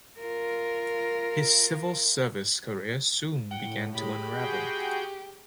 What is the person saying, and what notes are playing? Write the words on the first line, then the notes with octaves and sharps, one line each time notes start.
His civil service career soon began to unravel.
F4 A#4
A2 F#5 G5
G#3 G4 B5
F#4 G#4 G5